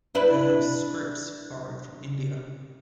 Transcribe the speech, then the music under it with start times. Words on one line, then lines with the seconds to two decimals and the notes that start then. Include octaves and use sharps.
They used scripts borrowed from India.
0.15 D4 E4 B4